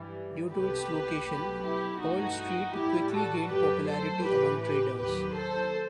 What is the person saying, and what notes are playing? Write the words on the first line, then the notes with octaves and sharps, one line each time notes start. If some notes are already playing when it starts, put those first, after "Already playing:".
Due to its location, Pearl Street quickly gained popularity among traders.
Already playing: G2 E3 G3
C2 B2 A3 G4 B4
B1 B2 F#3 A3
E4 G4
G2 E3 A3 D#4 F#4
A1 A2 G3 E4 G4
F#4 A4
F#2 F#3 A3 G4 B4
A4 C5
A1 A2 E3 G4 B4
G4 B4
D#2 D#3 F#3 G4 B4
A4 C5